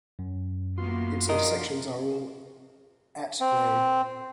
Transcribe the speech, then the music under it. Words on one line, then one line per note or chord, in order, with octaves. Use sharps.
Its intersections are all at-grade.
F#2
E3 A#3 B3 F4 F#4 C6
F3 D4 A#4 D#5
C4